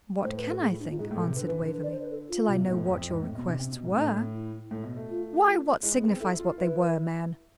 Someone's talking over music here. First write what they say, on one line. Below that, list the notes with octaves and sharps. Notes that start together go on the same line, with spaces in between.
'What can I think,' answered Waverley, 'till I know what your requests were?' 'Why, what signifies what they were, man?
A2 C5
B4
A4
G#4
E4
D4
F4
G#2 G#4
A2
A4
C3
D3 B4
E3
D3
B4
D5
C5
B4
A4
F4
C3
B2
G#2
A2
F2
F2
G#2
A2 C4
B2 B3
C3 D4
C3 C4
B2
G#2
A2 D4
E4
A2
B2
A3
F4
F4
G#3 E4
B3
G#4
C4
E4 A4
F4
E4 B4